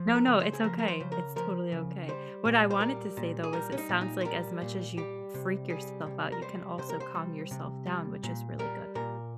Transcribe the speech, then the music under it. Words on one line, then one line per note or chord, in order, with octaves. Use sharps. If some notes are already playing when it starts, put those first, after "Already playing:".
No, no, it's okay. It's totally okay. What I wanted to say, though, is it sounds like as much as you freak yourself out, you can also calm yourself down, which is really good.
Already playing: F3
A#4
C#3
C5
G#4
F3 A#4
A#4
C5
C#3
A#4
F3 A#4
C#3
G3 C5
A#2
C5
G3 A#4
A#2
G#4
G3 A#4
C#4
D#4
A#2
D#4
C5
G3 A#4
A#2
G3 G4
C3
G3 G#4
C3
A#4
G3 C5
C3 C5
A#4
C5
G3
C3
G3
A#2
G3 A#4
A#2 A#4